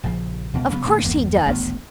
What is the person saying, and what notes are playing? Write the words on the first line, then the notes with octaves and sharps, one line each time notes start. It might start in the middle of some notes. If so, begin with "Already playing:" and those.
Of course he does.
A#1 C#3 F3
C#2 B2
C#3 F#3 B3
A#2 D#3 A3
G1 E2 D3 A#3
D#1 A1 D2 B3